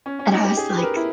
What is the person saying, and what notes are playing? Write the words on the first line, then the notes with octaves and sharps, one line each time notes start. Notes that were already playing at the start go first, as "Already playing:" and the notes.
and I was like
C#4
C#4
D#4
G4
G#4
G4
B4
A#4
E4